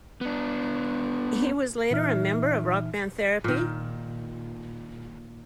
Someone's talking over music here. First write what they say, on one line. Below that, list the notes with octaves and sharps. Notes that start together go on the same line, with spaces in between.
He was later a member of rock band Therapy?
B3 D4
A#2 E3 D#4 E5 F6
A#2 D#3